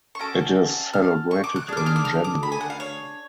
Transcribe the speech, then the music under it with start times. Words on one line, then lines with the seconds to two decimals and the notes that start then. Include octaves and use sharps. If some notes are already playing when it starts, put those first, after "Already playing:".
It is celebrated in January.
0.15 C#6
0.19 C#4 F#4 A4 D6
0.93 F6
1.31 C#6
1.44 D6
1.56 F#6
1.68 D4 G#4 F6
1.77 D6
1.86 F6
1.96 D6
2.05 F6
2.24 D6
2.43 B5
2.52 G#5
2.61 F#5
2.70 F5
2.80 C#5